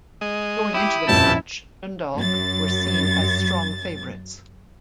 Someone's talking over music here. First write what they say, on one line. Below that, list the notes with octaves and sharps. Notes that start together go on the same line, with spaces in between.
Going into the match Dundalk were seen as strong favourites.
G#3 D#5
E4 G4 D#6
D#1 F2 B2 C#4 G4 A5 E6
F#2 A6